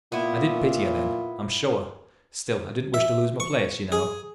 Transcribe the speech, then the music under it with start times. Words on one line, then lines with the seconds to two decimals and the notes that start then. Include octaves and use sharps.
I did pity her then, I'm sure: still I didn't wish to lose my place, you know.
0.12 A#2 B3 E4
2.94 E5
3.40 C#6
3.92 G#4